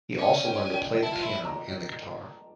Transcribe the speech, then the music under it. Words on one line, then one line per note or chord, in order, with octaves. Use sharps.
He also learned to play the piano and the guitar.
C#4 D5
G5
G5
G5
E4 A5
F4
E4
A#5